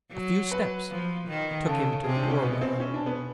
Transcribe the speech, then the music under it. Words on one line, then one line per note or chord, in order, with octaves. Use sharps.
A few steps took him to the doorway.
F#3
B4
F3
D#3
C#3 A4
C3 G#4
D4
C#4
B2 B3
C4
C#4
D4
B3